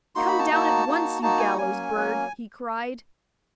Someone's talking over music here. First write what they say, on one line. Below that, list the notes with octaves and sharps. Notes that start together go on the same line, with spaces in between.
'Come down at once, you gallows bird,' he cried.
A#3 D#4 F#4 C6
B5
A5
A#3 D#4 F#4 A5
A#3 D#4 F#4
A#3 D#4 F#4 A5
G#5
F#3 A#3 C#4 G#5
F#3 A#3 C#4